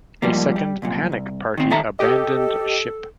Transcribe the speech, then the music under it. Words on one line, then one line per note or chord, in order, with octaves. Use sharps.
A second "panic party" abandoned ship.
G#2 F3 G3 A#3
G3
C2 F#2 A#2
C2
D#3 C4
D#2 D#3 A4 E5 A#5
G4 A4 D#5